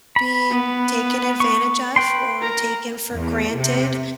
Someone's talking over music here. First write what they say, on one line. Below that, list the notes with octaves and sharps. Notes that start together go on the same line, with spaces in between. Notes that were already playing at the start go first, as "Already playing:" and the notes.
being taken advantage of or taken for granted,
B5
B3 B4
C#6
B4 G5 C6
A#4 A#5
E2
C3